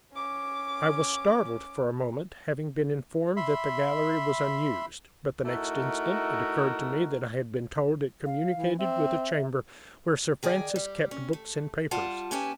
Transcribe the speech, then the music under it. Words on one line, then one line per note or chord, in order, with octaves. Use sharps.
I was startled for a moment, having been informed that the gallery was unused; but the next instant it occurred to me that I had been told it communicated with a chamber where Sir Francis kept books and papers.
C#4 D6
E5 B5 C6
A3 D#4 E4 F#4 A#4
F5
E3
C4 E5
D#3 G#4 D5
G3
C#4
A3
G3 F4 F#5 A5
D#2 C#4 G4 B4 G#5 A5